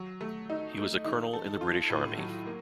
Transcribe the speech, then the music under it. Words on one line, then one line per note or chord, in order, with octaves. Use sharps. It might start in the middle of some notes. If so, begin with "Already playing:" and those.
He was a Colonel in the British Army.
Already playing: F#3
A3
D#4
A3
D#4
A4
F4
A2
F#3
A#3